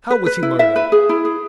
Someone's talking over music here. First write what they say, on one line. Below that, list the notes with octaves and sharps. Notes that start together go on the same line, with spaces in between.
How was he murdered?
B4
B4
E4
E4 E5
B4
G#4
E4
G#4